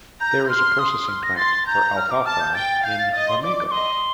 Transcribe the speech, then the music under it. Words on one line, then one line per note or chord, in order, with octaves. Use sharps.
There is a processing plant for alfalfa in Wamego.
A#5 G6
G6
C6 F6
D#6
F6
A#6
C6 A6
A#5 G6
F6
D6
A5 F6
G6
G5 A6
F5 G6
A6
D#5 A6
C6
D5 D6
D6
D6
D#5 C6